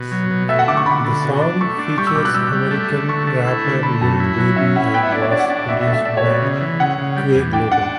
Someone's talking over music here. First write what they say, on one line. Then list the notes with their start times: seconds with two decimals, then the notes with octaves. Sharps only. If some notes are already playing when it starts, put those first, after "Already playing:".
The song features American rapper Lil Baby and was produced by Quay Global.
Already playing: B2
0.12 F#3
0.31 B2
0.49 A3 E5
0.59 F#5
0.68 D3 D6
0.77 C#6
0.86 D3 B5
1.04 D3
1.24 B2
1.41 D4
1.61 A3 C#6
1.79 D4
1.98 G3 C#6
2.07 E6
2.16 B2 D6
2.25 F#6
2.34 G3 E6
2.53 G3
2.71 A3
2.90 D3
3.08 A3 C#6
3.27 A3
3.45 E4
3.65 D3
3.83 A3 B5
4.01 F#2 A5
4.20 E4
4.38 F#3
4.56 C#4 E5
4.75 E4 F#5
4.94 B3 G5
5.03 E5
5.12 D4 D5
5.22 C#5
5.31 D4 D5
5.40 F#5
5.50 D4
5.59 D5
5.68 B2 E5
5.81 E5
5.87 A3
5.93 E5
6.05 A3 D5
6.17 C#5
6.24 B2
6.30 D5
6.42 C#3
6.61 E3
6.79 C#3 F#5
6.98 C#3
7.16 G3
7.35 E2
7.53 D4 G5
7.72 D4 F#5